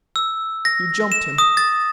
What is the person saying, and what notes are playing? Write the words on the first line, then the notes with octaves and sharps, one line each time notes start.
You jumped him.
E6
A#6
E7
D#6
A6